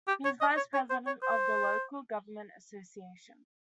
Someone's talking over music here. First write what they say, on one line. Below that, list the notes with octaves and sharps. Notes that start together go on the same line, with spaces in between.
He is Vice-President of the Local Government Association.
G4
C#5
D#5
C#5
C#5
C5
C#5
C5